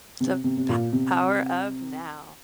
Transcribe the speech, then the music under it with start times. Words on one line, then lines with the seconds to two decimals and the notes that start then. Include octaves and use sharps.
The P Power of Now.
0.20 C3
0.44 C3
0.57 C3
0.69 A#2
0.93 C3